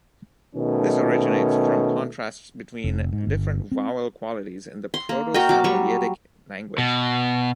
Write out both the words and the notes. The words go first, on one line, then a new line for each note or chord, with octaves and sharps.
This originates from contrasts between different vowel qualities in the Proto-Samoyedic language.
B2 D#3 A3 C#4
F1
G#2
G1
C4
C6
A#3
F#4 A#4 D#5 G5
F#3 D6
F#3 G3 C#6
B2